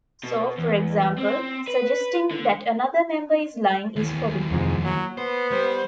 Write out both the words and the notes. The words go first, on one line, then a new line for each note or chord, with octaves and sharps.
So, for example, suggesting that another member is lying is forbidden.
B2
E2
C4
B4
D3
D#2 E3
F2 G#2 C3 F3
F#3 A#3
B3 C5
G3 C5